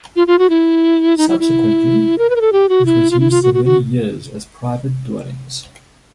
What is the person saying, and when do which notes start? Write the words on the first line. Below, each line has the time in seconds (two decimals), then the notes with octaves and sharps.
Subsequently, it was used for many years as private dwellings.
0.16 F4
0.27 F4
0.39 F#4
0.50 E4
1.17 D#4
1.29 E4
1.40 E4
2.18 A#4
2.30 B4
2.36 A#4
2.41 A4
2.52 G4
2.69 F#4
2.86 E4
3.11 F4
3.20 E4
3.31 F4
3.43 F#4
3.54 F#4
3.65 F#4